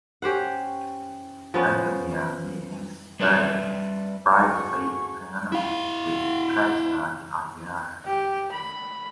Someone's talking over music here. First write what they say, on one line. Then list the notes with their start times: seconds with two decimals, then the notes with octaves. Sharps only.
Earlier he had studied privately piano with Kaisa Arjava.
0.22 C#4 G4 C5 F#5
1.54 F3 B3 C#4
3.20 G3 B4 D5 E5
4.32 D2 G2 D3 G#4 G#5 C#6
5.52 E4 F5
8.06 G4
8.52 B5